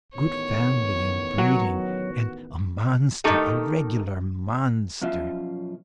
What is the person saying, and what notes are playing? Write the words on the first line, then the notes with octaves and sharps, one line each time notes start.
Of good family and breeding and a monster, a regular monster!
A1 D#3 B3 C#5
F#3 F#4
D#3 A3 D#4 G4 A4 D#5
F#2 B2 F3 C#4 F4 E5